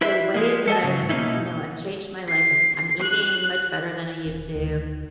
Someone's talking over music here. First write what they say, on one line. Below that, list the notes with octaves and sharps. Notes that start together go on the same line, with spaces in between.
the way that I am You know, I've changed my life, I've I'm eating much better than I used to,
E4 B4 C5 E5
F3 G#3 A#3
A4 D#5 A5
G#2 C#3 F#3
F2 B2 A#3 C#4 D#4 E4
C7
F#6
E1
D2